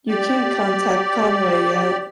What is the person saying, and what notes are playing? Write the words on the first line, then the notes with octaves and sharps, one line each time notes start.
You can’t contact Conway yet.
G4 D5